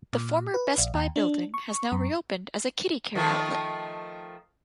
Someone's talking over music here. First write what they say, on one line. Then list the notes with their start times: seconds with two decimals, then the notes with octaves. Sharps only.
The former Best Buy building has now reopened as a Kiddicare outlet.
0.13 A#2
0.54 B4
0.78 A#1
0.94 D#2
1.16 D4
1.54 C#6
1.92 F#2
3.15 D#3 F3 A3